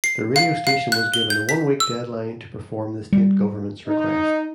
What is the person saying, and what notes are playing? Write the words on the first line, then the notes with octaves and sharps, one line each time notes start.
The radio station was given a one-week deadline to perform the State Government's request.
C7
F5
F5
F#6
G7
G6
B6
E6
G3
D#4